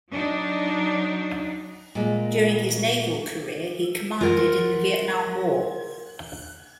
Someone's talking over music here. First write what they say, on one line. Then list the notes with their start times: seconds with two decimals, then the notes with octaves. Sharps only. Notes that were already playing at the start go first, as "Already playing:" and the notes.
During his naval career he commanded in the Vietnam War.
0.11 F#3 D4 D#4
1.95 A#2 G#3
4.21 F4 A#4 F#5